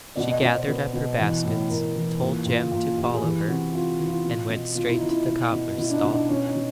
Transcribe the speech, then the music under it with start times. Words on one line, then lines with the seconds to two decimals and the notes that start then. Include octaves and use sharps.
She gathered up her baskets, told Jem to follow her, and went straight to the cobbler's stall.
0.16 B2 D5
0.29 D#5
0.42 B2 D5
0.54 C5
0.67 B2 B4
0.93 B2
1.18 E3
1.44 A2
1.69 A2 A#4
1.95 E3
2.20 A#2
2.45 A#2
2.71 A#2
2.97 A#2 G4
3.14 G#4
3.22 E3 G4
3.48 C3 F#4
3.73 C3 F4
3.99 E3
4.07 F4
4.25 B2
4.49 B2
4.75 B2 F4
4.87 E4
4.98 B2 D#4
5.08 E4
5.26 B2
5.52 B2
5.77 B2 E4
5.90 D4
5.94 D#4
6.03 B2
6.12 D4
6.28 B2 C#4
6.45 D#4
6.54 B2